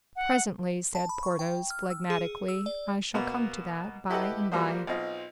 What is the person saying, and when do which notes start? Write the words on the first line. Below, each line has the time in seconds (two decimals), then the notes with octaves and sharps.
"Presently," said Porthos, phlegmatically; "I shall come to that by and by."
0.16 F#5
0.95 A5
1.09 B5
1.23 C#6
1.39 G5
1.70 F6
1.90 E6
2.10 G#4
2.48 E6
2.66 D5
3.14 B2 A#3 B3
4.10 E4 G4 A4 B4 D#5 F#5
4.52 F3 G3 A#3 F#4 C5
4.87 B1 C4 F4 D#5